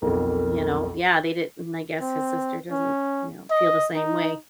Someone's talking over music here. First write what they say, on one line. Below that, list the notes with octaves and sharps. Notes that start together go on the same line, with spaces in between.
you know. Yeah, they didn't I guess his sister doesn't, you know, feel the same way.
B1 F2 A#4
C4
C#4
D#5
D#4